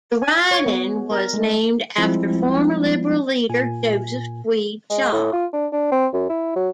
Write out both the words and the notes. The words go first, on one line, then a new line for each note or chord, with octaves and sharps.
The riding was named after former Liberal leader Joseph Tweed Shaw.
G#5
C#5
B3
A#4
G#3
F3 G3 G#3 C4 E4
A#2 G#5
G#3
A2
F4
D4
D4
C4
F#2
E4
F#3